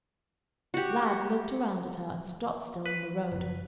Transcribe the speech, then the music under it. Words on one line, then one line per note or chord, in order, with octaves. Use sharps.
Lad looked around at her and stopped still in the road.
F#4 G4
B4
F#1 F3